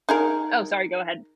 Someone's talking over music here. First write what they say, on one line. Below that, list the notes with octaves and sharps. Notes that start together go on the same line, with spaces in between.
Oh, sorry, go ahead.
D#4 G#4 A#4